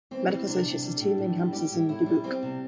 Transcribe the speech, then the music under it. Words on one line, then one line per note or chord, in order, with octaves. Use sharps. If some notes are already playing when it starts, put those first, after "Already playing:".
Medical Associates has two main campuses in Dubuque.
E3 C4
G3
C3 D4
C3
G3
A2
A2
G3
G3 G4
A2
A2 E4
G3
G3 C4
C3